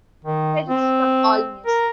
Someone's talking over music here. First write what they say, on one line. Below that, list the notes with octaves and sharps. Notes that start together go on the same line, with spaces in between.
Credits from Allmusic.
D#3
C4
A#4